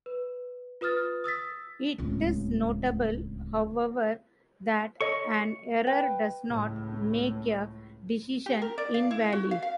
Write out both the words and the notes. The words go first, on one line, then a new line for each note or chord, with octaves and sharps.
It is notable, however, that an error does not make a decision invalid.
B4
F4 B4 D#6 F6 A6
D#6 E6 A6 B6
D1 C#2
A4 C#5 D#5 C#6
B4 G5
C#2 A2
G4
A#4
D5
F5
E4
F#4
F5
F5